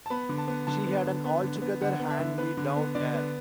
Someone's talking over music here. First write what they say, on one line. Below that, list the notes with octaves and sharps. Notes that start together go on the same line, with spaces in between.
She had an altogether hand-me-down air.
A5
B3 B5
D3
A5
B3
D3 A5
B3
D3
B3
D3
B3
D3 F#5
B3
E5
D3
B3 B4
D3
B3
D3 D5
B3